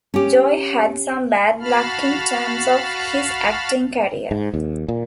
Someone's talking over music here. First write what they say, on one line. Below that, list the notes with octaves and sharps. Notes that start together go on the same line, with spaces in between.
Joey had some bad luck in terms of his acting career.
C#4 G4
F#4 F5 A5 B5 F6
G#2
D#2
A#2